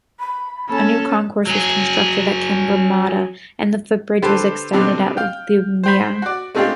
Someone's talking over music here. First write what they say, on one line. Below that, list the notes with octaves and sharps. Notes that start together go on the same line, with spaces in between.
A new concourse was constructed at Cabramatta and the footbridge was extended at Leumeah.
B5
A#3 C#4 A4 G#5
F#3 G#4
D3 G4 A4 B4 C5
B2 D3 G3 C4 D4 G4
F5 G5
C5 G5 B5
F#4 D5
G#3 A3 C4 D4 F4 G4